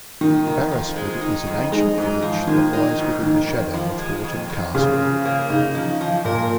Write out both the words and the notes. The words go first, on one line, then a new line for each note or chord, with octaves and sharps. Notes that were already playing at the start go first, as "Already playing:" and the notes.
Barrasford is an ancient village that lies within the shadow of Haughton Castle.
D#3 D#4
F2
F3
G#3
D#4
F2
G#3 D#4
G#2
F3
D#3 G#3
D#4
G#2
F2 D#3
F2
F3
G#3
F2
F2
C#3 F3
F3
A#3
C#3 D#4
F3
F3
A#2 A#4